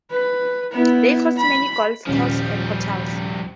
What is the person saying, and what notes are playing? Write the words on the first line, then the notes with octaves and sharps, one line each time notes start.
They host many golf course and hotels.
B4
B3 E4
B5
D#1 F3 G3 C#4